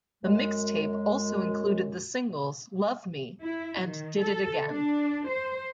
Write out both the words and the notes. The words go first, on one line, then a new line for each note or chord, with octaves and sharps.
The mixtape also included the singles "Love Me" and "Did It Again".
F#2 G#3
E4
D#3
A4
D4
C5